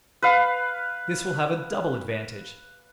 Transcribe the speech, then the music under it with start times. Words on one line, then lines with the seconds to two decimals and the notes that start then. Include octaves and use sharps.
This will have a double advantage.
0.22 B4 F5